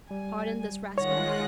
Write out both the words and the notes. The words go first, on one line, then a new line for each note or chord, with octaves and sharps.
"Pardon this rascal?"
G3 G#5
D#3 G#3 F4 C#5 F#5 F#6 A#6